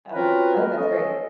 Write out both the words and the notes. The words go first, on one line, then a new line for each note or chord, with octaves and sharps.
Uh I think that's great.
C4 C#4 F4 F#4 A#4 B4
C#4 A4 D#5